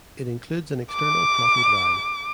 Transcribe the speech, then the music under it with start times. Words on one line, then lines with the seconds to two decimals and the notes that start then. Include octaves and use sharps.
It includes an external floppy drive.
0.93 D6